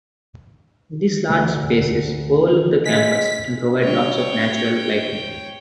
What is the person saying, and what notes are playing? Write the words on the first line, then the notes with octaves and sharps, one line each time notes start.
These large spaces overlook the campus and provide lots of natural lighting.
D2
G#3 B6
D3 G3 C#5 G5